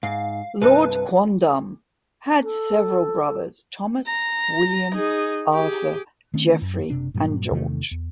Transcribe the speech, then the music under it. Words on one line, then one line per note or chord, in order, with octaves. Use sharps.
'Lord Quondam' had several brothers: Thomas, William, Arthur, Geoffery and George.
G#2 F5
C2 G2 A4 B4
A4
A#5
D#4 G#4
G4 G#4
D#3 A3 C4 C#4
F#2
F#1 C3 D4
G2 A#2 F#3
E2 C3 D#3 A3
E2